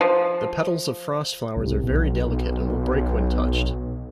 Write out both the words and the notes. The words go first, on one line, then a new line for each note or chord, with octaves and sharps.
The petals of frost flowers are very delicate and will break when touched.
F3
C2
B1